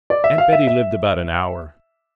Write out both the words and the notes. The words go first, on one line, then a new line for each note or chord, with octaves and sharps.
Aunt Betty lived about an hour.
D5
E5
F5
E5
E5